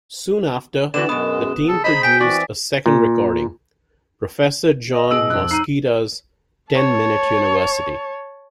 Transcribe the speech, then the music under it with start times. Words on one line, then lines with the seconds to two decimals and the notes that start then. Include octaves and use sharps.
Soon after, the team produced a second recording, Professor John Moschitta's Ten Minute University.
0.94 D3 E3 B3 F#4 D5 E7
1.09 F#2 B2 G#3 B3 D#6
1.68 C#3 A4
1.84 G#4 C5 D#5 A#5 B5 G6
2.03 G5 G#5 B6
2.20 E3 C4 F#4 D5
2.86 A#2
4.93 D#5
5.11 B2 G#4 E6 D7
5.30 F2 F#6
5.51 D#4 C7 D#7
6.72 C#5 A5